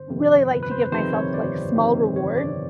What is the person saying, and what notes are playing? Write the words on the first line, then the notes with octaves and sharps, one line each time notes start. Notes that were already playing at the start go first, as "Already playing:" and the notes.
really like to give myself, like, small rewards
Already playing: G1 C5
F2 C3 D#3
G1 B4
B4
C5
F2 C3 D#3 C5
C#5
G1 D5
F2 C3 D#3
G1 C#5
D5